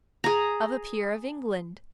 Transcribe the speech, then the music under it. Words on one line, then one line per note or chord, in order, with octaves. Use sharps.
Of a peer of England.
G#4 A#5